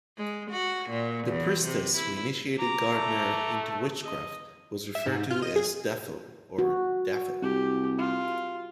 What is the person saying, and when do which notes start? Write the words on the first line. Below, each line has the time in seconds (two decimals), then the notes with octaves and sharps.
The priestess who initiated Gardner into witchcraft was referred to as "Dafo" or "Daffo".
0.17 G#3
0.51 F#4
0.89 A#2
1.28 E2
1.63 C3
1.96 E4
2.59 A#5 D6
2.92 A3
4.04 D#5
4.95 E5
5.06 G#2
5.30 F4
5.42 D#5
5.56 G#4
6.59 F#4
7.42 C2 G4
7.98 F4